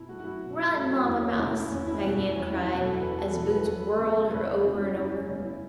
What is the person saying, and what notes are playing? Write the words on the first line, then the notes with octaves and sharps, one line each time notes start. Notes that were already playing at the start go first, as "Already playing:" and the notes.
"Run, Mamma mouse!" Raggedy Ann cried, as Boots whirled her over and over.
Already playing: B2 E4
F#3 A3 F#4
F#4
E4
B2
E4
F#3 A3 A4
F#4
E2 E4
C#4
B2 A3 E4
E4
E2 C#4
E4
B2 A3 F#4
E4
E2 C#4
E4
B2 F#3 F#4
A4
E2 B4
A4
B2 F#3 A4
A4
B4
E2
C#3 F#3 B3
E2 B4
F#4
C#3 F#3 B3 E4
C#4
F#2 E4
C#4
C#3 E3 B3 C#4
E4